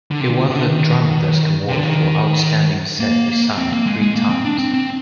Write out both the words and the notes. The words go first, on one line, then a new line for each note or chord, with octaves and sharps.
He won the Drama Desk Award for Outstanding Set Design three times.
D3
C3
D3
D3
D#3
C3
D3
D#3
A#3
C4
A#3
G#3
G#3
A#3
C4
D4
C4
C4